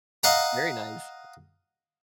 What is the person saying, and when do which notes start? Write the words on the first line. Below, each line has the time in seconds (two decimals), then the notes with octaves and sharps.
Very nice.
0.23 D#5 F5 F#5 A#5